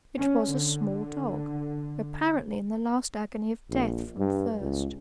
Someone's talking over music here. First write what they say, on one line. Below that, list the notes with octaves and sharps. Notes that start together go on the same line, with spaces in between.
It was a small dog, apparently in the last agony of death from thirst.
C#4
D3
A#1
G2
C#2